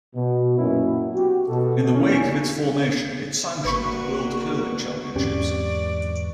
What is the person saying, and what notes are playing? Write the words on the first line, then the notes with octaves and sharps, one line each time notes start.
In the wake of its formation, it sanctioned the World Curling Championships.
B2
F#2 A#2 A#3 B3 C#4 E4
F#4 G4
B2 A4
E2 E3 A#3 C#4
G#1 A#3 D4 F#4 B4 C#6 C#7
E2 G#2 D3 C4 C#4 G4 D5